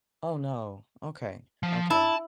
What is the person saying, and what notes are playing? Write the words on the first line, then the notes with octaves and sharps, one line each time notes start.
Oh, no. Okay, okay.
F3
E4 A5